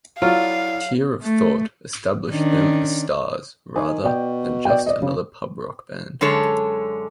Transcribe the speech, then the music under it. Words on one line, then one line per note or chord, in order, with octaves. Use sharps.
"Tear of Thought" established them as stars rather than just another pub rock band.
F#3 E4 F4 A4 D5 F5
A3
D#3 C#4 D4
D#3 G#5
B2 D5 G5
D5 G5
D5 D#5
C#3
F#2 D3 G#3 A4 C#5 A5